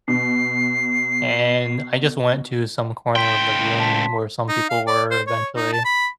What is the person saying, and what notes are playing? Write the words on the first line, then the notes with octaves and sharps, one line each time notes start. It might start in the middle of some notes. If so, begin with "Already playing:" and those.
and I just went to some corner of the room where some people were eventually
B2 C7
C#2 G5 C6 B6
A5 B6
D#4
F5
D5
C5
C#5
D#4
A5
B5